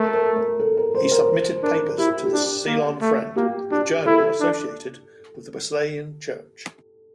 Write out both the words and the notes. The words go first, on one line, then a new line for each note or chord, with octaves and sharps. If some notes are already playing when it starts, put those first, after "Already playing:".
He submitted papers to the "Ceylon Friend", a journal associated with the Wesleyian Church.
Already playing: A3 A#4
A#4
A#4
A4
A#4
C5
A#4
C5
D4 A#4
E4 G4
G4
D4
A#3
A3
A#3 G4
D4 G4
E4 A4
D4